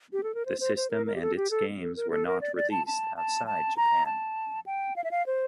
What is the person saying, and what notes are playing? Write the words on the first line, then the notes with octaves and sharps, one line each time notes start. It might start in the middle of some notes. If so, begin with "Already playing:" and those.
The system and its games were not released outside Japan.
G4
A4
A#4
C5
C5
C5
A#4
A#4
G4
A4
G4
A4
A4
A#4
A4
A#4
D5
D5
A5
A5
A5
A5
A#5
A5
G5
F5
E5
F5
C5